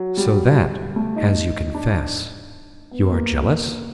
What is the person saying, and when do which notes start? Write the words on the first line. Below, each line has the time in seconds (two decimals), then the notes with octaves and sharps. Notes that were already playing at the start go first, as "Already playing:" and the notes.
"So that, as you confess, you are jealous?"
Already playing: F#3
0.17 G3
0.96 A3
1.16 D#4
1.75 D4
2.91 B3
3.11 A#3